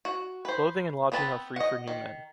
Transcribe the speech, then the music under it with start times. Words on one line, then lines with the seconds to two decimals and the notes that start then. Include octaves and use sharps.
Clothing and lodging are free for new men.
0.05 F#4
0.45 B4 C5
1.12 B3 C4 B4 A5
1.56 D#5 F#5
1.88 D#3